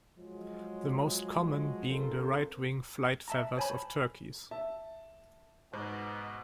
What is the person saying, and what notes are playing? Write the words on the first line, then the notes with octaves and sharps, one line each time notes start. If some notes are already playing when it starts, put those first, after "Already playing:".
The most common being the right-wing flight feathers of turkeys.
F3 F#3 G#3
C4 C#4 F4 A4 A#4 C5
E5 A5 A#5
C5 C#5 G#5 A5 B5
E5 A5
G#2 B2 C5